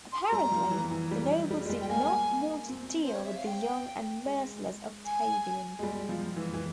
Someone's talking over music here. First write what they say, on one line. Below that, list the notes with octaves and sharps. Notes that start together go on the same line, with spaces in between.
Apparently, the nobles did not want to deal with the young and merciless Octavian.
C6
G3 A#5
F3
E3
E3
G3
G3
G#3
G3
G5
A#3 G#5
C4
C5
C#5
E5
F5
G5
G#3
G#5
G#3
G3
F3
E3
E3